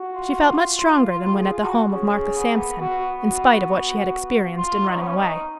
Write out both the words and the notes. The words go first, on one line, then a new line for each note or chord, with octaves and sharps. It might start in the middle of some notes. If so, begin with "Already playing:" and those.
She felt much stronger than when at the home of Martha Sampson, in spite of what she had experienced in running away.
Already playing: F#4
F4
G#4
F#4
C#4 G#4
B3
A#3
B3
B3 F#4
F#4
F4
D#4
C#4
B3
C#4
D#4